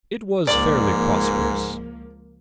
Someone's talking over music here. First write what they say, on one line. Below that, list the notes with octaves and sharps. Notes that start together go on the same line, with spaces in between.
It was fairly prosperous.
C#2 G#2 F3 A#3 D5